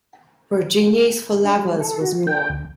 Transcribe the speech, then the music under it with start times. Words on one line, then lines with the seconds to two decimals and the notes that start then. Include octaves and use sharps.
"Virginia is for Lovers" was born.
1.44 D4
1.58 G3
1.81 A4
2.01 F#4
2.12 F3
2.27 G5
2.49 D2